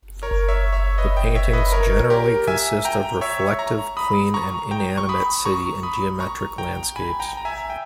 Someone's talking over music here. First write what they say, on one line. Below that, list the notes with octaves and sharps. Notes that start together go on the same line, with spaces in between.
The paintings generally consist of reflective, clean, and inanimate city and geometric landscapes.
A#4 C#5
C#5 E5
C#5 E5
B4 D#5
D#5 G5
C#5 E5
B4 D#5
A#4 C#5
G4 A#4
E5 G#5
G5 A#5
C#5 E5
A#5 C#6
B5 D#6
A#5 C#6
G5 A#5
C#6
B5 D#6
A#5 C#6
B5 D#6
A#5 C#6
G5 A#5
G#5 B5
G5 A#5
A#5
E5 G#5
G5